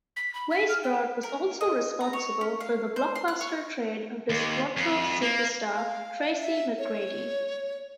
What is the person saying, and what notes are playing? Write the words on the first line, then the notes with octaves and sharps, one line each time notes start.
Weisbrod was also responsible for the blockbuster trade of disgruntled superstar Tracy McGrady.
B6
B5
B6
F6
G5
A#4
D#5
A#5
C#5
C#4
F5
C5
C6
F#6
C#5
D#2
F2
A#3
F5
E5
C#5